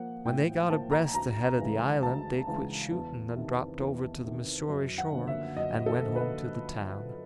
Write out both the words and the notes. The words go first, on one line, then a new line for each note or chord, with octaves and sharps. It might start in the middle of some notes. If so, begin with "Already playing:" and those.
When they got abreast the head of the island they quit shooting and dropped over to the Missouri shore and went home to the town.
Already playing: F3 A#3 F#5
A2 G5
F3 A#3 A5
A#5
D2 A#5
C#3 E3 G#3
D2 A5
C#3 E3 G#3
E2
C3 D#3
E2
C3 D#3
F#2
F#5
D3 F3 A#3
E5
F#2 D#5
A4
D3 F3 A#3
B4